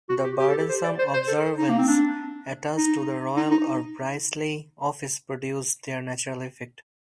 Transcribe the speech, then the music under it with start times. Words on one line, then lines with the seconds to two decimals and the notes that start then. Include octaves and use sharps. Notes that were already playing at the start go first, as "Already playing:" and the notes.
The burdensome observances attached to the royal or priestly office produced their natural effect.
0.09 F#4
0.24 G4
0.39 G4
0.48 A4
0.57 G4
0.69 C5
0.84 D5
0.99 C5
1.14 C5
1.28 A4
1.58 D#4
1.70 A#3
1.78 C4
1.88 D4
2.77 D#4
3.37 D#4
3.51 D#4